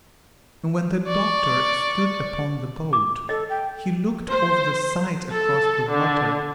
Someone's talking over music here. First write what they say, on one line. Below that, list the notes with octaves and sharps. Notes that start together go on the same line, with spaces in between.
And when the Doctor stood upon the boat, he looked over the side across the water.
D5 C#6
D6
A4 D#5
G5
C5
A4
D3